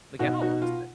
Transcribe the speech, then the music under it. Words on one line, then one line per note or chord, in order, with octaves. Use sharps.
The camo almost did.
B2 D#4 F#4
D#4 F#4
F4